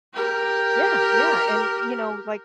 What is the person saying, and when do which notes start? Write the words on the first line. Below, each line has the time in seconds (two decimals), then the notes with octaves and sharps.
Yeah, yeah, and you know, like,
0.14 G4 A#4